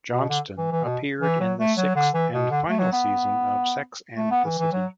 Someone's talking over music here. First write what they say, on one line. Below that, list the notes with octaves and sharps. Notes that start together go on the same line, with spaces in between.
Johnston appeared in the sixth and final season of "Sex and the City".
B2
D3
E3
E3
B2
E3
F#3
A3
F#3
D3
E3
B2
D3
A3
F#3
B3
A3
B3
E3
E3
F#3